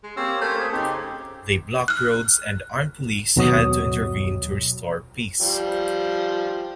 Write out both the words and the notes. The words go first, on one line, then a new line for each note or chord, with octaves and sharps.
They blocked roads and armed police had to intervene to restore peace.
G#3
A#3 C4 C#4 G4 E6
A3 A#4 C5 C#5
G#4
C#3 C4 D#4 G4
F6 F#6
D#2 B2 F#3 F#4 C#5 D#6
F3 G3